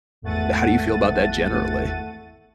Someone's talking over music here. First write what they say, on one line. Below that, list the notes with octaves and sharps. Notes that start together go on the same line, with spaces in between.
how do you feel about that generally?
G#1 E2 A3 F#5 A6 D#7